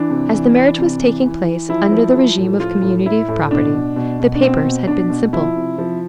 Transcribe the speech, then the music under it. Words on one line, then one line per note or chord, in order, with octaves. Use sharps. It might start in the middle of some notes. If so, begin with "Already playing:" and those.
As the marriage was taking place under the regime of community of property, the papers had been simple.
Already playing: E3 D4
C3
E3
E3
C3
E3
E3
E3
F3 E4
F3
F3
A2
F3 F4
A2
A2 E4
A2
B2 D4
B2
B2
B2
D4
B2 C4
B2
B2 D4
B2
F3 E4
C3
F3